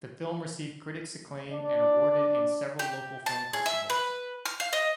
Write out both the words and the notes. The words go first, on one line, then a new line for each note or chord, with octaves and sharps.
The film received critics acclaim and awarded in several local film festivals.
D4 D5
G4
A5
G#4
E5
B4
F6
F5
D#5